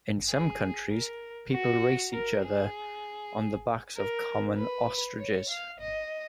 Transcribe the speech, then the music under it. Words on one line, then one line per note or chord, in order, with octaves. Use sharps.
In some countries, people race each other on the backs of common ostriches.
G#4
A#4
F#4
A#4
G#4
A#4
B4
C#5
F5
D#5